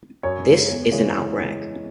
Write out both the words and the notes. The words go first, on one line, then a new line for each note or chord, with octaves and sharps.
This is an outrag.
F#2 C#5
C#3 G#3 C#4
E2
C#3 E3 G#3